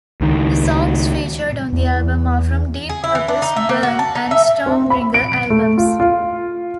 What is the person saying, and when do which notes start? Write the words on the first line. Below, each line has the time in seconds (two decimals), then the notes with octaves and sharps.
The songs featured on the album are from Deep Purple's "Burn" and "Stormbringer" albums.
0.21 C#2 D#3
1.73 E2
2.89 G#4
3.04 E4
3.15 E3
3.28 D4
3.42 D#4
3.56 E5
3.69 A#3
3.83 F#4
3.99 A5
4.15 D#4
4.31 E5
4.66 C4
4.90 B5
5.14 D7
5.50 A3
5.78 F4
6.00 F4